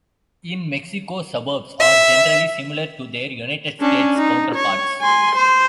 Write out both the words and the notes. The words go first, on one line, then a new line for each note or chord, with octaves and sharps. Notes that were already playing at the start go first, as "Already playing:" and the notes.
In Mexico, suburbs are generally similar to their United States counterparts.
E5
C#4 D4
D#4
C#5
G#5 C6
C5